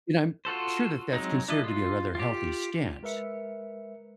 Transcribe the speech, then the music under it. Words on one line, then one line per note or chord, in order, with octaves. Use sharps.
and I'm sure that that's considered to be a rather healthy stance,
F4 F#4 A4 C5
F#3 G#3 C4 D#4
D4 E4 D#5
F4
F4 G4
G#3 A#4 B4 E5 C#7